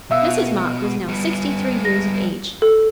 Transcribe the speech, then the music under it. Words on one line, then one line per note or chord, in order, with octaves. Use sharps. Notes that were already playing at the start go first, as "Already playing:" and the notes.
Mrs. Mott was now sixty-three years of age.
B2 E5 F5 E6
G3 B3
A#6
A4